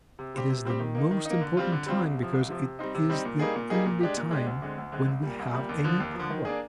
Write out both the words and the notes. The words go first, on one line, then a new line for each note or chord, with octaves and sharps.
It is the most important time because it is the only time when we have any power.
C3
G3 C4 G4
C3
G3 C4 G4
D#3
A#3 D#4
D#3
A#3 D#4
D3
G3 C4 F4
D3
G3 C4 F4
C2
C3
F3
C2
C3 F3
C3
G3 C4 D#4
C3
G3 C4 D#4
A#2
G3 A#3 D#4 G#4
A#2
G3 A#3 D#4 G#4
A#2
G#3 D4 G4
A#2
G#3 D4 G4
D2
D3 G#3 C4
D2
D3 G#3 C4
C2
A#2 G3
C2
A#2 G3
D#2
D3 F3
D#2
D3 F3
D#3
A#3 D4 G#4